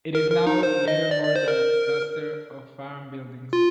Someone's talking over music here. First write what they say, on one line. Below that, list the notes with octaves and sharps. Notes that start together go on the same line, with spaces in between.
It is now little more than a cluster of farm buildings.
A#4
A#4
D#4
C5
D#5
D5
D5
C5
A#4
F4